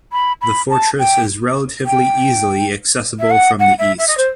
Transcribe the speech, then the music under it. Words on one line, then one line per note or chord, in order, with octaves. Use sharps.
The fortress is relatively easily accessible from the east.
B5
B5
A5
G5
G5
E5
F#5
F#5
E5
E5
D#5
C5